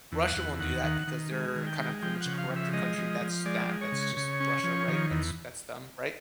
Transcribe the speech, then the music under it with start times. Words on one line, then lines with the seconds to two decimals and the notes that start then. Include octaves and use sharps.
Russia won't do that because they're kind of pretty much a corrupted country, that's that that's just Russia, right? That's that's them, right?
0.12 E2
0.24 F#5
0.37 E2
0.59 D#2 F#5
0.84 D#3
1.07 D#3
1.31 G#3
1.55 D#3
1.67 G5
1.78 G#3
2.02 F3 G5
2.21 C#3 F#5
2.38 F5
2.50 F3
2.56 E5
2.73 G#3 D#5
2.98 F3
3.21 F3
3.45 G#3 D5
3.69 G#3
3.81 C#5
3.92 C#3
4.17 C#3
4.40 C#4
4.64 F3
4.88 D#3
5.11 E2